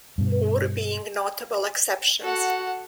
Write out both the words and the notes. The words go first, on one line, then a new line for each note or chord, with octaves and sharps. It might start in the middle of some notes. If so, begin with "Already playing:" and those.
Moore being notable exceptions.
G2 B2
F#4 A4 F#5